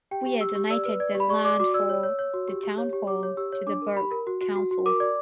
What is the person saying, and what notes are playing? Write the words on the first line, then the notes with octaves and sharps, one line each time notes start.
Weir donated the land for the town hall to the burgh council.
G4 G5
G4
G4 E6
G4
D5 E6
B4
D5
G4
B5
D5 C#6
D5 D6
F#4 D6
D5 E6
C#5
C#5
C#5
F#4
G4
G4
C#5
G4
G4 D6
C#5
G4 E6
C#5
D4 D6
A#4
G4 B5
A#4
F#4
F#4
F#4
F#4
A#4 D6
D5